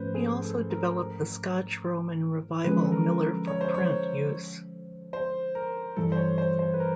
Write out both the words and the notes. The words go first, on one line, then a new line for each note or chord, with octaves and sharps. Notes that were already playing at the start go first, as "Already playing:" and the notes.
He also developed the Scotch Roman revival Miller for print use.
Already playing: G#2 F3 A3 C#4 B4 C5
G#4
A4
A#4
D3 F3 G#3 C#4 B4
A4
A#4
C#5
C5
C#5
C5
A#4
G2 E3 G3 A4
C5
C#5
C5
C5
B4
A#4